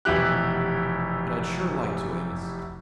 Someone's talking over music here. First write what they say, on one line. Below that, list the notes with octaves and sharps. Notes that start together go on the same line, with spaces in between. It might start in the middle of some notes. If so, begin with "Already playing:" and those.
But I'd sure like to, Amos.
F1 B2 E3 E4 G4 F#6